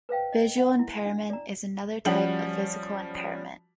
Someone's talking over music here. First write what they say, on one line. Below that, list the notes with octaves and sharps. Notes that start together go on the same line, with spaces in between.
Visual impairment is another type of physical impairment.
B4 C5 F5 G5
D#5
F#5
E4
D4
D5 A#5
F3 G3 C#4 F#4 F#7